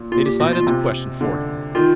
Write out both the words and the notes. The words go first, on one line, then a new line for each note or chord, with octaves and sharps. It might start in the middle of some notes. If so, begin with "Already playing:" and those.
They decided the question for him.
Already playing: A#2
A#2 F4
G4
B2 F#4
F4
C3
D3
D#3 F4